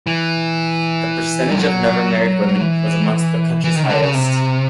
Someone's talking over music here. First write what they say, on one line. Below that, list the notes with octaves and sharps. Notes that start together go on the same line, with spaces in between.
The percentage of never-married women was among the county's highest.
E3
G3
F#3
E3
E3
D#3
C#3
D3
C#3
C3